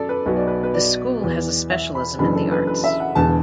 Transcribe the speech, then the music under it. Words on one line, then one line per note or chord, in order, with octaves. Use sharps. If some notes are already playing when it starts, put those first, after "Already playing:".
The school has a specialism in the arts.
Already playing: F#2 A4 D5
B4
B1 B2 B3 B4
D5
B4
B4
D5
E2 E3 B3
E5
B5
F#1 F#2 E3 D4 B5
A4
B4
B4
E5
F#5
E1 E2 D3 A5